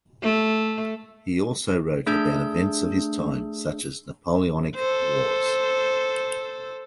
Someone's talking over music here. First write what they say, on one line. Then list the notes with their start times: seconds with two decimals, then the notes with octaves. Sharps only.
He also wrote about events of his time, such as the Napoleonic wars.
0.22 A3
2.06 A3 D4 G#4 E6 G6
4.75 A4 C5